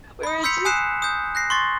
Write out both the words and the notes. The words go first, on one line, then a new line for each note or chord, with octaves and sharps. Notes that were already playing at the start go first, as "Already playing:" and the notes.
we were just
B5 D#6
C6 E6 G6 B6 C#7 F7
G#5 D#6 F#6 C7 E7
D#6 G6
F#6 A#6 C7
C6 C#6 A6